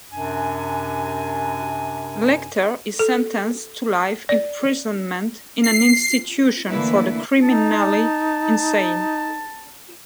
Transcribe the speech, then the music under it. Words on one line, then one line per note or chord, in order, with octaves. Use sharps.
Lecter is sentenced to life imprisonment in an institution for the criminally insane.
F#2 C3 D4 G#5
A4
D5
C7
D3 E3 A3 A#3 E4 B4
D#4 A5